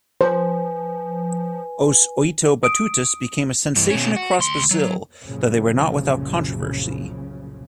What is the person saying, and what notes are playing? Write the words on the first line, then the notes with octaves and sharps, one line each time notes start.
Os Oito Batutas became a sensation across Brasil, though they were not without controversy.
F3 B4 C5 G#5
D#6 D7
G2 E3
B2 C#4
F#4
D2 C6
F#3
C2 F#2 A#2 C#3 F3